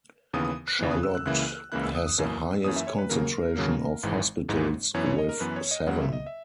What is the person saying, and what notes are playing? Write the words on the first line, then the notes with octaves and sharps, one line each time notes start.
Charlotte has the highest concentration of hospitals, with seven.
D#2 C#3 E3 B3 D#6
D#6
F#6
D#2 C#3 E3 B3
D#6
E6
F#6
C#2 C#3 E3 A#3 E4 F#6
C#2 C#3 E3 A#3 E4 F#6
E6
D#6
D#6
F#2 E3 A#3 C#4
F#2 E3 A#3 C#4 D#6
E5
C#5
B4
D#2 C#3 F#3 A#3 A#4
D#2 C#3 F#3 A#3
G#1 G#2 E3 G#3
G#1 G#2 E3 G#3
F#2 E3 B3 C#5
C#5
D#5
A#4
F#2 E3 B3 B4
C#5
D#5
C#2 C#3 F#3 A#3 F#5
E5
D#5
E5